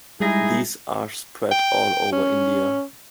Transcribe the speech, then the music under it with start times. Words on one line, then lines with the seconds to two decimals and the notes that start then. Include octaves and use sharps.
These are spread all over India.
0.20 G3 G#3 D#4 E4 G#4 A#6
1.51 G5
2.12 C#4